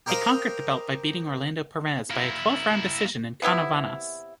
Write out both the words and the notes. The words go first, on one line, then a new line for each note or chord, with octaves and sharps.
He conquered the belt by beating Orlando Perez by a twelve-round decision in Canovanas.
G4 A#4 C5 D#5 F5 G5
A#3 E4
C3 B3 E4 G4